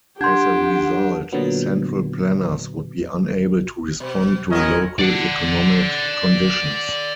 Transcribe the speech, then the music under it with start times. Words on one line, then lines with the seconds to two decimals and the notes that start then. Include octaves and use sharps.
As a result, central planners would be unable to respond to local economic conditions.
0.21 D4 G4 F#5 C6 G6 G#6
1.32 A#2 D3 F#3 B3
4.00 B2
4.50 G#2 C#4 E4 F#4 A#4 D#5
4.99 D5 F#5